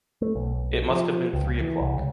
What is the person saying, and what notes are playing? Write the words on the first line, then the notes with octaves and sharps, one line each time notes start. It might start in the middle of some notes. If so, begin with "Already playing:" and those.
It must have been three o’clock.
A3
B1
F3
C#2
E3
C2
C#2